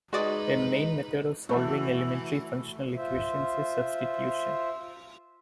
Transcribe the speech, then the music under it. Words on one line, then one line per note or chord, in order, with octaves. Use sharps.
A main method of solving elementary functional equations is substitution.
G#3 D#4 F#4 B4 D5 D#6
E3 A3 F#4 E5
F4 C5 E5